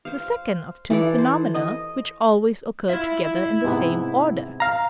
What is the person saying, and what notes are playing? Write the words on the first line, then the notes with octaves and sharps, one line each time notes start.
The second of two phenomena which always occur together in the same order.
C5 F5
E3 A4 D5
C5
D#5
E4 F4 E5
G#2 C3 B3
F5 A#5